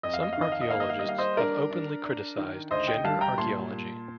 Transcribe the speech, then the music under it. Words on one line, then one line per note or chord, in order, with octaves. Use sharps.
Some archaeologists have openly criticised gender archaeology.
F2 D#5
F5
D#5
F5
D#3 D#5
F5
D#5
A#3 F5
D#5
F5
D#5
G3 F5
C5 D#5
D4 A#4 D5
D4
D4
D#3
D2 C5 D#5
D#5 G5
G3 F5 A5
G5 A#5
A#2 A5 C6
A#2